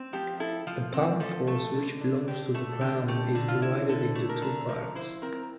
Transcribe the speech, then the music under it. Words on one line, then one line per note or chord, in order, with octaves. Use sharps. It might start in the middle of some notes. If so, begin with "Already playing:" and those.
The palm forest which belongs to the crown is divided into two parts.
Already playing: C4
F3 G4
E4 A4
F3 F4
C4
F3 A4
A3 A4
D3
D4
D3 G4
A3
A4
D3 G4
A3 G4
D3
F4
E4
D3 A4
A3
A#4
D3
F3 A#4
E4 C5
C4 A#4